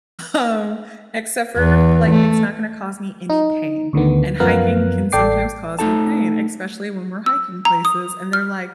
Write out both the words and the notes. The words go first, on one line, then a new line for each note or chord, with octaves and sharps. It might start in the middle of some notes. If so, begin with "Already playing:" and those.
um, except for f like, it's not gonna cause me any pain, and hiking can sometimes cause you pain, especially when we're hiking places, and they're like,
E2
A3
D#4
D2 D3 D#3 B3
F#2 F3 B3 A#4 F5 F#6
A1 A4 D5 G5 D6 C7
A3 D#4 A4 A5
E6
A#5
D#6
F6